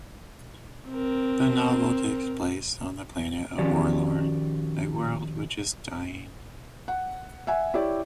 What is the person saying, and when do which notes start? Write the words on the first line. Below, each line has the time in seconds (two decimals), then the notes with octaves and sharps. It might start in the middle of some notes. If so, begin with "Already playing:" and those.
The novel takes place on the planet of Worlorn, a world which is dying.
0.89 C4 A#4
3.58 D#3 F3 C#4 F#4 G4 D5
6.88 F#5
7.47 E5 F#5 G#5
7.74 E4 G4 C#5 D5 E5